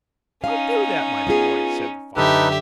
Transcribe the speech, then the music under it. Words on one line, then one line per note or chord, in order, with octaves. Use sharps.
"Don't do that, my boy," said the father.
C#4 D#4 F5
B3 F4 G#4
F#2 D3 D#4 G4 A4 B4 E5